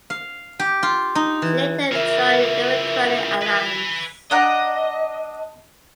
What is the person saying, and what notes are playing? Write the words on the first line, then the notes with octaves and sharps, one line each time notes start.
She later joined the Democratic Alliance.
F5
G4
F4
D#4
E3
C#3 E3 F4 A#4 E5
B4 G#5
D4 D#5 F#5 A#5